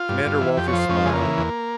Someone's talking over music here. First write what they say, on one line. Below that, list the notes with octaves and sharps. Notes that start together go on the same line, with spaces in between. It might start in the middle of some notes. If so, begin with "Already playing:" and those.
Commander Walters smiled.
Already playing: F4
G2
G2
E3
F2 G4
C#5
F3
C5
F2 C#4
C4
C#3 G#3
A#3
E3
E2